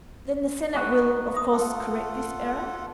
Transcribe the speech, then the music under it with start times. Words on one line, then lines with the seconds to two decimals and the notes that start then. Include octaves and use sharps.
"Then the Senate will, of course, correct this error?"
0.74 B3 D#4 F#4
1.34 E5 D#6
1.53 A3 F4 A4 F#5